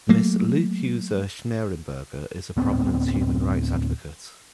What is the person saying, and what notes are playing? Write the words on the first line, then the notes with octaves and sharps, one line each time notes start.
Ms Leutheusser-Schnarrenberger is a prominent human rights advocate.
F#3 A3 A#3
D1 B3 C4